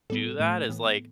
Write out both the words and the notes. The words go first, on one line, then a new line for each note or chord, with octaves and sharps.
do that is, like,
A2 G3 B3 A4
A2 A3
A2 E3 B3